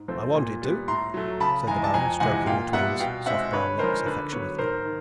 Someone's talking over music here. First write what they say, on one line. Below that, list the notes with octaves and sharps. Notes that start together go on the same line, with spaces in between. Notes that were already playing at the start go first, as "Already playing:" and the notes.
"I wanted to," said the Baron, stroking the Twins' soft brown locks affectionately.
Already playing: G#2
F3 A3 C4
A#2
G3 B3
A2 A#5 C6
F#3 A3
C#3 A5 B5
E3 G#3 G#5 A#5
A5
F2 G#5 A#5
C3 E3 G#3 F#5 G#5
A#2 F5 G5
G3 B3 E5 F#5
B2 F5 G5
G#3 C4 E5 F#5
D3 B4 C#5
F3 G#3 A#4 C5
D3 B4
F#3 B3 B4 C#5
G#2 A#4 C5
D#3